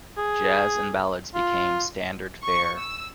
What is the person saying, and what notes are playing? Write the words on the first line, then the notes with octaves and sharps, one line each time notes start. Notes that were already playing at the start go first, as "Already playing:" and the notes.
Jazz and ballads became standard fare.
G#4
F4
C#6
E6